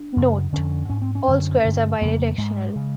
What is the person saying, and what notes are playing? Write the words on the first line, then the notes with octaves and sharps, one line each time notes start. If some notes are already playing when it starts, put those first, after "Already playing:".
Note: All squares are bidirectional.
Already playing: D4
F#2 C#3
F2 D3 C#4
G#2 C#4
C4
C#4
F#2 D3
G2 D3
F2 C#3 A#3
G#2 G#3
C#3